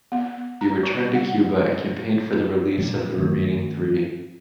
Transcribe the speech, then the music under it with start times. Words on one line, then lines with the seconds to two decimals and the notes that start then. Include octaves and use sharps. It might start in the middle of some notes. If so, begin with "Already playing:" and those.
He returned to Cuba and campaigned for the release of the remaining three.
0.12 B3
0.61 A#5
0.83 G3
1.15 F#5
2.78 A#2 F#3 G3 A#3
3.18 G2 D#3 A3 C#4